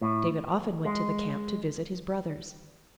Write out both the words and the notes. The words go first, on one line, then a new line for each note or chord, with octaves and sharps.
David often went to the camp to visit his brothers.
A2
G#3